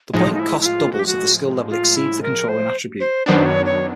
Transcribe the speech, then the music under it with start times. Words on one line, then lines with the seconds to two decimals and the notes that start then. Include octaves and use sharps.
The point cost doubles if the Skill level exceeds the controlling Attribute.
0.13 A2 F3 G#3 D#4
0.33 D#4
0.39 E4
0.61 E4
0.65 F4
0.92 F#4
0.99 G4
1.06 F#4
1.70 F4
1.96 E4
2.22 A#4
2.48 C5
3.00 C5
3.26 F#2 D#3 F#3 B3 D4 C5
3.46 C#5
3.66 C#5